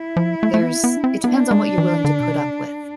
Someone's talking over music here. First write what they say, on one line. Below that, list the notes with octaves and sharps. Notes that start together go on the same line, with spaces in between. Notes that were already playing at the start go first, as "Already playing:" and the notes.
there's it depends on what you're willing to put up with,
Already playing: E4
F3
A3
A3
B3
B3
D4
C4
B3 D4
G#3
E3
D3
B2
C3